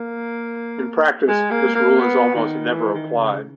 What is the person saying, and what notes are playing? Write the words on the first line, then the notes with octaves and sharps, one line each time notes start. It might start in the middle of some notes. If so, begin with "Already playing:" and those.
In practise this rule is almost never applied.
Already playing: A#3
G#3
A#3
A#3
B3
D#3
E3
D#3
C#3